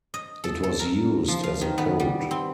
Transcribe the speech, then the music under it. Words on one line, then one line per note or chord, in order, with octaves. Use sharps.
It was used as a code.
D#5
A4
A4
A#4
F3
F5
D#3
B3
G3
C4